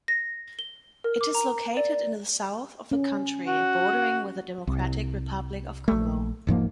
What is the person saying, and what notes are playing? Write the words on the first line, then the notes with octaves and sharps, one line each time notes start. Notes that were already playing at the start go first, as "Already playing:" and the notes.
It is located in the south of the country, bordering with the Democratic Republic of Congo.
A#6
G7
A#4
D6
A#5
D5
C#4
F#4
C2
A#1 A3
E1 G#2 F3 A#3